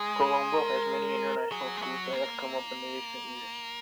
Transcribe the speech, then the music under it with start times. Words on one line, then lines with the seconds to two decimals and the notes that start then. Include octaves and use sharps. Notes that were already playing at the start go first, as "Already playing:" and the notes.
Colombo has many International Schools that have come up in the recent years.
Already playing: G#3 G#4
0.59 A#4
1.52 F#3 G#4
1.77 G#3
1.82 F#3
2.13 A#3